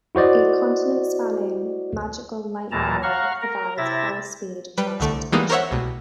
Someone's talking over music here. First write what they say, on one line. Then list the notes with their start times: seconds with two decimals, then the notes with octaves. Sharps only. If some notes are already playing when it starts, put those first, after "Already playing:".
A continent-spanning magical "lightning rail" provides high speed transportation.
0.15 E4 F#4 C5 D5 D#5
2.71 D#2 A#2 E3 A5 A#5
3.03 F5 F#5 A#5 C#6 F6
3.41 A#4 A#5
3.78 C3 E4 E5 A6 A#6
4.78 G3 B4 D7
5.00 C2 D3 A3 D7
5.32 E3 G3 G#3 A#3 B3 D#4
5.50 A#4 C5 C#5 E5 F#5
5.71 C2 B2